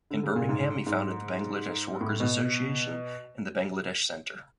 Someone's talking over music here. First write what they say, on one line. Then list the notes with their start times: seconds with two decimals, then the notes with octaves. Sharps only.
In Birmingham he founded the Bangladesh Workers’ Association and the Bangladesh Centre.
0.11 D3
0.23 C#3
0.36 A#2
0.49 G#2
0.86 G#2
2.01 A2
2.20 B2